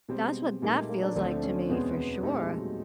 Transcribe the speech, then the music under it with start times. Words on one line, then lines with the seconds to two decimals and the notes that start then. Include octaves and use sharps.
That's what that feels like, to me, for sure.
0.09 B2 G3 G#3 C4
0.62 A#2 G3 G#3 A#3 D#4
0.75 A3
0.89 A#3
1.02 D4
1.15 D2 D3 F3 A3 C4 D4
1.43 C#4
1.69 E2 B2 G#3 B3 C4
2.23 A#2 G3 A3 C4 D#4
2.41 G#3
2.59 F#3